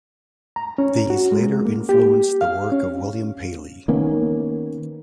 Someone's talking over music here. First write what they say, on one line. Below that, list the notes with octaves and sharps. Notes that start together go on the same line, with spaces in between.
These later influenced the work of William Paley.
A#5
C#4
F#4
G#3
A#3
G4
F5
C#4
D#3 A#3 B3 C#4